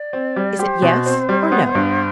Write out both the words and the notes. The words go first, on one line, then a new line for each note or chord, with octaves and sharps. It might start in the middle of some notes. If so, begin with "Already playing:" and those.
Is it Yes or No?'
Already playing: D5
C4
G3
G4 C5
B2
C4
G3
B3
G2